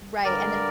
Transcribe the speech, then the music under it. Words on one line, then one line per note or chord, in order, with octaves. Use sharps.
Right, and then s
G2 D3 G3 A#4 D5